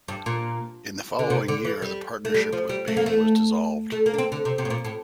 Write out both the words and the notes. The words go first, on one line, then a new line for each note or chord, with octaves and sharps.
In the following year the partnership with Baine was dissolved.
G2
A#2
D3
C3
D3
E3
G3
A3
G3
F3
G3
A3
A#3
A3
A3
A#3
D4
C4
D3
C3
C3
A2
A#2
A2